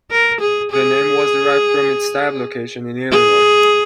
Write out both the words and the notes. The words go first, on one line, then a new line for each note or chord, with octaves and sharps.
The name was derived from its type location in Illinois.
A#4
G#4
G#4
G#4